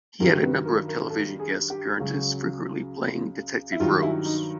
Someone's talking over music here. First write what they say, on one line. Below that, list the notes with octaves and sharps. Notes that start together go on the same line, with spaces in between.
He had a number of television guest appearances, frequently playing detective roles.
G2 D#3 F#3 A#4
B4
A#4
A#4
A4
G#4
G4
C#2 C#3 F#3 F#4
E4
G2 D#3 F#3 F4
E4
D#4